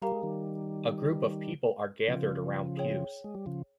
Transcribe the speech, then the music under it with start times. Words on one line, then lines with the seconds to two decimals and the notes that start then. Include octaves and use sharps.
A group of people are gathered around pews.
0.02 G3 G4 A#4 F5 A#5
0.12 G#3
0.23 D#3 G3
2.08 C#3 F3
2.77 G#4 C#5 G5
3.24 G#3
3.35 G3
3.46 C#3 F3